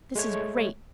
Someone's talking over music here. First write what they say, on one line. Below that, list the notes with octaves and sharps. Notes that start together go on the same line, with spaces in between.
This is great.
G#3 A3 C#5